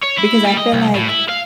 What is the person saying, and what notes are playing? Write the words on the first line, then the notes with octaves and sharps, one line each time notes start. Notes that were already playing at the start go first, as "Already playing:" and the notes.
because I feel like
C#5
E4
G3
D#5
C2
A2
E4
F5